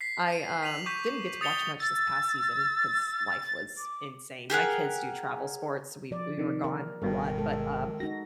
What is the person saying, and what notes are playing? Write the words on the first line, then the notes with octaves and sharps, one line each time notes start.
I um, didn't get to watch much this past season 'cause life was insane. My kids do travel sports, we we were gone a lot, but, um,
B6 C7
D#7
B6 D#7 F7 F#7
C#6 D6 G6 B6
D#6 A6 C#7 F7 G7
E6 A6
D6
G4 G#4 A#4 F#5
F3 D5
C3 D#3
A#4
G1 G2 B2 D#3 A4
G#3 A4
D#4 F#4 A#6